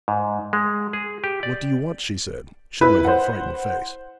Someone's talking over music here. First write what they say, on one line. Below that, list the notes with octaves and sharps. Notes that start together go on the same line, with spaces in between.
'What do you want?' she said, showing her frightened face.
G#2
G#3
G#4
G4
D5
E4 B4 B5
C5 F#5